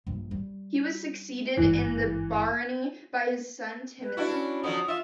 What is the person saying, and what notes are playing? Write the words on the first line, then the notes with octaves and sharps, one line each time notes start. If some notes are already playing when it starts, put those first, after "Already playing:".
He was succeeded in the barony by his son Timothy.
A#1 G2
G3
G#1 G2 E3
B4
D4 E4 F#4
C#4 B5
D3 F3 F#3 D#6
F4 E5